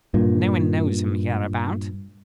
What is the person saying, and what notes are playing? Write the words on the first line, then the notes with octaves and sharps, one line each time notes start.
No one knows him hereabout.
G2 A#2